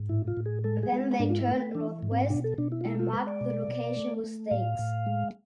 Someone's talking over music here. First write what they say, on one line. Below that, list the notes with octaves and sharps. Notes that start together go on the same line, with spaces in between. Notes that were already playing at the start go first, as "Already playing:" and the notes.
Then they turned northwest and marked the location with stakes.
Already playing: G#2
A2 E4
F4
A2
G#4
G#3 A4
G#4
G#3
C4
G#2 D4
F4
E4
A3
B4
E3 D4
G#2
C4
B2 D4
A4
B2 D4
E4
F4
G#3 E4
F4
G#3 B4
D5
B2
B2
A3
A3
A2 F5
A2
G#3